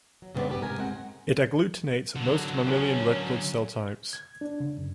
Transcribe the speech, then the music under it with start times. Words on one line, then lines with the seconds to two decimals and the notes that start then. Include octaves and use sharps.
It agglutinates most mammalian red blood cell types.
0.22 F#3
0.35 G2 C#3 F3 B3 C4 D5
0.49 B3 C4 G4 A4 B4
0.61 G#2 C3 A#4 G#5
0.78 G#3 C4 F#5
2.16 D3 F#3
2.67 C#4
4.13 G#6
4.41 D4
4.60 C#3
4.78 F#2